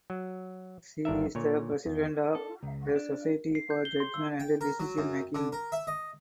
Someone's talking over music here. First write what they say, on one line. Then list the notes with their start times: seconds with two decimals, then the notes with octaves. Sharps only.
She is the President of the Society for Judgment and Decision Making.
0.10 F#3
1.05 G1 D4 A#4 E5
1.35 A#2 D3 C#5
1.86 E2
2.35 A4
2.63 C#2
2.96 D4
3.55 C7
3.70 G6
3.85 G7
4.00 C6
4.14 E6
4.40 G5
4.61 A#4
4.80 F#3
4.98 F#2
5.35 D3
5.52 A#4
5.72 E5
5.87 D#5